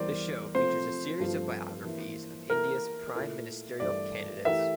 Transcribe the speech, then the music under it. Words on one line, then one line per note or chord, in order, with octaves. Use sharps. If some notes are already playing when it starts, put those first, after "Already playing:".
The show features a series of biographies of India's prime ministerial candidates.
Already playing: E2 E3 G3 A#4 C5 D5
C3 F3 A3 C4 F4 C5
G2 F3 A3 C4 F4
E3 A#3 E4
E3 A#3 E4 A4 A#4
A#2 A3 E4 A#4
G2 E3 A3 E4 D5
E3 A3 E4 G4 A#4 E5